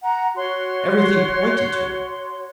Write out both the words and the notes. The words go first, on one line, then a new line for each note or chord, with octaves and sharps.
Everything pointed to it.
F#5 A#5
F#4 C#5 C6